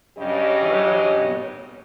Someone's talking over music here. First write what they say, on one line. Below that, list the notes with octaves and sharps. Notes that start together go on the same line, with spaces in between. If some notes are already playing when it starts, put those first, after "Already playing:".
Carter appealed.
G2 C#3 F#3 C#4 G4 D#5